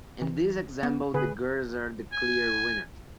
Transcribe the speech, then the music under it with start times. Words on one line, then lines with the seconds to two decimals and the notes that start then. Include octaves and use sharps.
In this example, the girls are the clear winners.
0.22 E3
0.83 B3
1.14 D3 G#4 B4
2.13 G#5